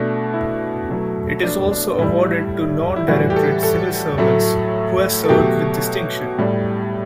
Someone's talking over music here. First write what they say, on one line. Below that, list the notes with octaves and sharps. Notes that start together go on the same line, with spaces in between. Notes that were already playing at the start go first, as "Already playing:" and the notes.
It is also awarded to non-directorate civil servants who have served with distinction.
Already playing: B2 A3 D4
E4
B2 F#3 A3
D4
D4
A2 G3 E4
E4
A2 E3 G3 F#4
G4
A4
A4
A2 F#3 A3
A4
B2 F#3 A3 G4
A2 G3